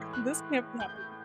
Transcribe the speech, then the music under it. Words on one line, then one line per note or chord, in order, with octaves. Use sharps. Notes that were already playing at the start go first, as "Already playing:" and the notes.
"This can't be happening."
Already playing: A2 E3 G#3
F#6
G6